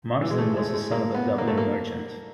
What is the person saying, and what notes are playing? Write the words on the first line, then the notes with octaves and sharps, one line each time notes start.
Marsden was the son of a Dublin merchant.
E3
G#3
A3
G#3
G#3
A#3
B3
A#3
A3
A#3